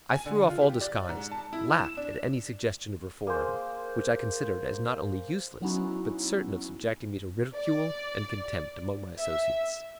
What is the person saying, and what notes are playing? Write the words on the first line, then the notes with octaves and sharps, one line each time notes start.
I threw off all disguise, laughed at any suggestion of reform, which I considered as not only useless, but certain of subjecting me to ridicule and contempt among my associates.
G#5
D3
F4
G4
D5
G#2
A5
E4
E7
D4
A#3 G#4 C5
F#3 B3 C#4 D#4 E4 F#4
D5
E5